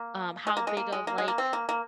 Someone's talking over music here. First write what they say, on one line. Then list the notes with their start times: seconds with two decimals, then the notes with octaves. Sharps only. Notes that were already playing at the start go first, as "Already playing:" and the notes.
um, how big of like,
Already playing: A#3
0.47 G#3
0.57 A#3
0.67 G#3
0.77 A#3
0.92 G#3
1.07 A#3
1.18 G#3
1.28 A#3
1.38 C4
1.53 A#3
1.69 A#3